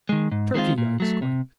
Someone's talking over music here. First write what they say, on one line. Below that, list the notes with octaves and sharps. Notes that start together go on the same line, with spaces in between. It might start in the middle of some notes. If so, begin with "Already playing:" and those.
"Turkey!" I exclaimed.
D#3 G#3
G#2
D#3 G#3 C4 F4
A#2
F#3 A3
C3